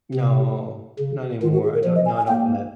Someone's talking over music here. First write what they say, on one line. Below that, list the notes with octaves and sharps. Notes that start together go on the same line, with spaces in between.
No, not anymore. I don't no, I don't want it.
C3
C#3
D#3 F4
F#4
G#4
A#4
F3
D#5
G#5
G#5
A#3 G5